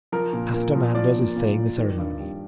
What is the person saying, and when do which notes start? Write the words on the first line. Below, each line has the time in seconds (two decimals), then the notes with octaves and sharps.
Pastor Manders is saying the ceremony.
0.12 F3 A#4
0.33 A#2
0.54 A#2
0.75 F3
0.95 F3 D5
1.15 A#2
1.36 A#2
1.57 F3
1.78 D#3
1.98 G2
2.19 G3